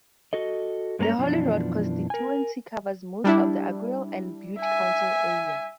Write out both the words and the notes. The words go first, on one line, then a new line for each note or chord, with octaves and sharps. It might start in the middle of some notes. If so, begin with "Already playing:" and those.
The Holyrood constituency covers most of the Argyll and Bute council area.
F#4 A4 D#5
G2 G#3 A#3 C#4 G4 A#5
F#2 B2 E3 F3 D4
A#4 G#5
G3 D4 E4
E5 G#5